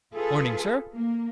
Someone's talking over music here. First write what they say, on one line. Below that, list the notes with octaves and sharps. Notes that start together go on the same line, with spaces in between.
'Morning, sir!
F4 G#4 A4 B4
A#3